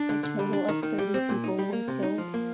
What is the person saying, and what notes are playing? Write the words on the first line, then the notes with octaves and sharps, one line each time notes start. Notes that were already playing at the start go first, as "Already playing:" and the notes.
A total of thirty people were killed.
Already playing: D4
D3
D3
G3
D4
D#3
D#3
G3
C4
A#2
D#4
G3
A#3
C3
D#4
F3
A#3